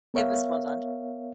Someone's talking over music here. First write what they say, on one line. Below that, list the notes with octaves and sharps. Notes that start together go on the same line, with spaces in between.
it was well done.
B3 A#4 C#5 E5 F5